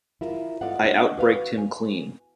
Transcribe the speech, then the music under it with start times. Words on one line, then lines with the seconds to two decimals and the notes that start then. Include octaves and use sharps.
I outbraked him clean.
0.21 E4 F4 A#4
0.61 F4 A4 D5 D#5 F5 F#5
0.82 B3 D4 D#5 F#5
1.17 F#4 B4 F5
1.58 G#5